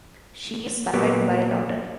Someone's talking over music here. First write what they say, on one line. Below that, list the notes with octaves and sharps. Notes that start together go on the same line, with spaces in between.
She is survived by a daughter.
A#2 F#3 A#3 B3 F#4 G4